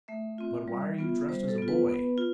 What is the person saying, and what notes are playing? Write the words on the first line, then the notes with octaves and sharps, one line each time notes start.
"But why are you dressed as a boy?"
A3 E5
C4 F4
G3
B3 F4
G3 C5
A4
B3 F4
B4
B3
F4